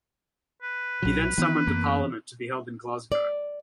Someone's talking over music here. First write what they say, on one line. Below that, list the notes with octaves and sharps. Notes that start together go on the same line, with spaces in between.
He then summoned a Parliament to be held in Glasgow.
B4
B1 A#2 F#3
D#3 E3 B3 C4
F#2 A#3
D5